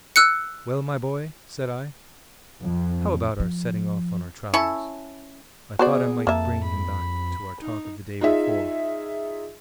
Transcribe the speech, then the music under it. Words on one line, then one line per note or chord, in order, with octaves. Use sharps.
'Well, my boy,' said I, 'how about our setting off on our travels?' I thought I might bring him back to our talk of the day before.
E6 F#6 C#7
F2
F3
C#4 E4 A4 C#6
B3 F#4 G#4 C5 D5
F2 A#3 E5 A5
B5
D#4
D#4 F4 G#4 E5